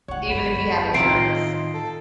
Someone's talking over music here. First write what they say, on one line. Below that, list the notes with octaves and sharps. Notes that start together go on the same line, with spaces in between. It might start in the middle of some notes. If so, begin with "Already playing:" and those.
Even if you have insurance?
C#2 C#5 F#5
G1 F#2 B5
A2 D#3 C4 D#4 F4 E5 C7 D7
D#5
A4